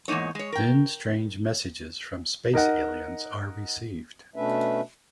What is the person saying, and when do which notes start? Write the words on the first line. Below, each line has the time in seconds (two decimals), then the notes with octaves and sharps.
Then strange messages from space aliens are received.
0.08 E2 G#2 A#3 D#4 C#5
0.35 G#3 C#5
0.52 A#4 G5
2.54 D#4 A#4 D#5 F#5
4.36 B2 A3 C#4 D4 B4 E5